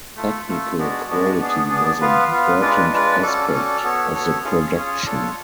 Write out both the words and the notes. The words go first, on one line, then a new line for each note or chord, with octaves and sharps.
Technical quality was an important aspect of the production.
A3 F4 A4
A3 F4 A4
G#3 B3 D4 F#4
G#3 B3 D4 F#4
B3 D4 G#4
B3 D4 G#4
B3 F4 B4 F5
B3 F4 B4 F5
G#3 D4 F4 B4
G#3 D4 F4 B4
C#4 F#4 A4 D5
C#4 F#4 A4 D5
B3 F#4 A4 C#5
B3 F#4 A4 C#5
C#4 F4 G#4 C#5
C#4 F4 G#4 C#5
D4 F4 A4 C#5